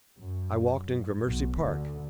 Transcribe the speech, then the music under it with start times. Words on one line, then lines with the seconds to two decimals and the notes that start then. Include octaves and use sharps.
I walked in Gramercy Park.
0.17 F#2
1.25 B1 B2
1.60 D2 D3